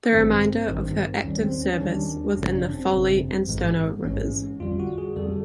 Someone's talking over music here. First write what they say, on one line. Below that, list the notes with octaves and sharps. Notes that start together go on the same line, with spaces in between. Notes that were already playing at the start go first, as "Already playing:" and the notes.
The remainder of her active service was in the Folly and Stono Rivers.
A1 G2 D#3 C4
A1 G2 D#3
D#2 D#3 G3 C#4
C4
C#4
C#4
D#2 D#3 G3 D4
G#1 F#2 C#3 C#4
C#4
D4
C4
G#1 F#2 C#3
A1 G#2 E3 G#3
A1 G#2 E3 G#3 C#4
F2 D3 G3 F4
F#4
G#4
F2 D3 G3 A4